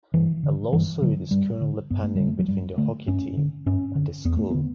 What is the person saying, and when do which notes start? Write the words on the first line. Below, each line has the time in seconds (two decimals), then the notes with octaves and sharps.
A lawsuit is currently pending between the hockey team and the school.
0.14 G2 E3
0.43 D3
0.73 G2 E3
1.02 D3 F#3
1.31 G2 G3
1.61 D3
1.90 G2 B3
2.03 A3
2.15 D3 G3
2.27 A3
2.39 F#3
2.48 G2 G3
2.78 D3 A3
3.08 G2 C#4
3.37 D3
3.66 G2 C#4
3.95 D3
4.25 E2 B3
4.37 A3
4.50 D3 B3